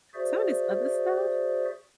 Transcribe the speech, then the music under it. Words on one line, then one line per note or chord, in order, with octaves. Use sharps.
some of this other stuff
F#4 G#4 C5 D5 E5